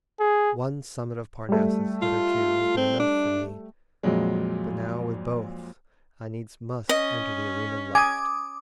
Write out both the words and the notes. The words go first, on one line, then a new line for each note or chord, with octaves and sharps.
One summit of Parnassus hitherto Has been enough for me, but now with both I needs must enter the arena left.
G#4
G3 A3
F4
C4
D4
F2 A#2 F#3 G#3
C#4 D#5
G#5 D6 D#6